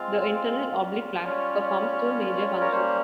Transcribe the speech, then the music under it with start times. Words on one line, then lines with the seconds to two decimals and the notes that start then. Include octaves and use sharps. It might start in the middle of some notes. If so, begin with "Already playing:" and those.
The internal oblique performs two major functions.
Already playing: G#3 C4 F4 F5
0.77 G3 C#4 F4
1.26 C#5
2.61 A#4
2.72 G3 A#3 C#4 C5